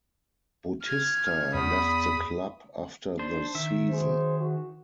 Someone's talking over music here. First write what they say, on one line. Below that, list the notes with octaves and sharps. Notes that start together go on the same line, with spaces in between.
Bautista left the club after the season.
F6 G#6
E2 B5 D#6
D4 C5
D#3 E5
F#3 G#4 C5
F#4